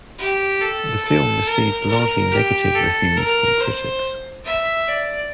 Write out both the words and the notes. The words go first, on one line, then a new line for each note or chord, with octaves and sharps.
The film received largely negative reviews from critics.
G4
A4
A4
A#4
A#4
G4
A4
A#4
C5
E5
D5